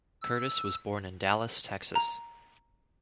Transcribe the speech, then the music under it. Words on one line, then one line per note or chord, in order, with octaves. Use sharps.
Curtis was born in Dallas, Texas.
E6
A#5